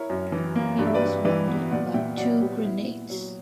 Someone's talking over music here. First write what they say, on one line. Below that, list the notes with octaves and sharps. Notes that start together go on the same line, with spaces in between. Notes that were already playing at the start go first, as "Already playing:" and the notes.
He was wounded by two grenades.
Already playing: E4 A#4 C#5
F#2
E3
A#3
G2 D5
E5
B4 D5
G2
E3 B4 D5
B3
A#2 D5 F#5
A#2 E5 G5
F#3 D5 F#5
B3 G4
E4
A#2
F#3